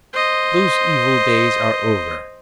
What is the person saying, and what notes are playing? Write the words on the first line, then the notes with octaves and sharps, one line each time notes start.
Those evil days are over.
C5 D#5